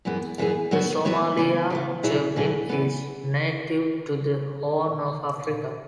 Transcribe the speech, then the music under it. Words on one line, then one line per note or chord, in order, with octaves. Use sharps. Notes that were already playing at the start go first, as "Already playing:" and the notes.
The Somalia gerbil is native to the Horn of Africa.
F#2 E3 B3 G#4
F#2 E3 B3 G#4
F#3 B3 F#4 C#5
F#3 B3 F#4 C#5
C#3 E3 B3
C#3 E3 B3
B2 F#3 E4 G#4 C#5
B2 F#3 E4 G#4 C#5
E2 E3 B3